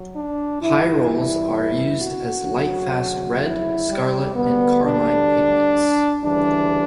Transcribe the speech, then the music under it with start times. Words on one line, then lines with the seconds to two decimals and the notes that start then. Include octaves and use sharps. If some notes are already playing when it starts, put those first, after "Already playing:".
Pyrroles are used as lightfast red, scarlet, and carmine pigments.
Already playing: F#3
0.16 D4
0.61 G2 E3 G3 E4
1.09 E4
2.02 F#4
2.49 D2 C#3 F#3
3.43 E4
3.90 G3
4.36 D2 D3 G3 B3
4.82 D4
6.23 D2 C#3 E3 G3 D4